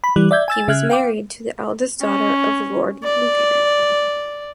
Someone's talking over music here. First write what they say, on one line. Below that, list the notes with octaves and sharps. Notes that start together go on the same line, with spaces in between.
He was married to the eldest daughter of Lord Lucan.
B5
E3 G3 F#6
D5 E5 G6 G#6
G#5 E6 A6
C#3 E5 F6 F#6 G#6
F5 G5 D6
C#4
D5